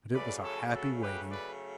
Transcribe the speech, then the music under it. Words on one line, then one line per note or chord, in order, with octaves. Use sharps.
But it was a happy waiting.
C#3 F#3 A3 B4 D5
A4 C#5
F#4 A4
G4 B4
B4 D5